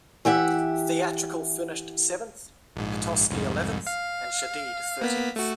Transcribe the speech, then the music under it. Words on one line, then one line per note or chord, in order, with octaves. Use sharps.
Theatrical finished seventh, Petoski eleventh and Shadeed thirteenth.
E3 G4 E5 F#5
A#1 G#2
C2 F2 G#2
F5
A#3 B3 B6
A3 F#4